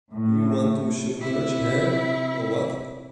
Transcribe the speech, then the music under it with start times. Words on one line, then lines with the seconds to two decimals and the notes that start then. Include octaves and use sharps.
Do you want to submerge her or what?
0.12 A2
1.16 C3 E4